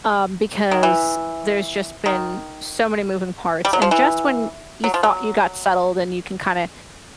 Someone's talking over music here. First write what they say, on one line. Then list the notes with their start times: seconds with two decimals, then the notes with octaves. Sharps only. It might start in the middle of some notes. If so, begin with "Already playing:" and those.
Um, because there's just been so many moving parts, and just when you thought you got settled and you can kinda
0.71 D#3
0.83 E3
2.06 D#3
3.65 G3
3.73 F#3
3.82 F3
3.91 E3
4.84 F#3
4.94 F3
5.03 F#3